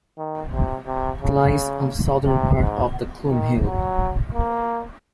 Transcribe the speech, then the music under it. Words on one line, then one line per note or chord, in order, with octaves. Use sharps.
It lies on the southern part of the Chlum hill.
D#3
C3
C3
C#3
C3
G#2
D#3
F#3
A#3